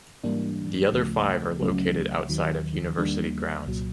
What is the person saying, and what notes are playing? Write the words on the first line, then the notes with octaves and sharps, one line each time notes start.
The other five are located outside of university grounds.
G#2 E3 G3 A#3 D4
D2 C#3 F3 A3
C#2 C#3 F#3 A3 C#4
D#2 D#3 F#3
D#2 D#3 G3 A#3 D4
C2 A#2 F#3